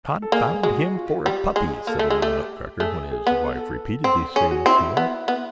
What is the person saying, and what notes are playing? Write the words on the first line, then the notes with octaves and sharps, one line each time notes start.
"Confound him for a puppy!" said old Nutcracker, when his wife repeated these sayings to him.
A4
A#3 G#4
G#3 F#4
F#4
F4
G3 G4
G#3 G#4
A#3 A4
A3
G#3
A3 G4
A3 G#4
G#4
B3
A4
A4
C4
C#4 G#4
F#4
C4 E4
B3
B3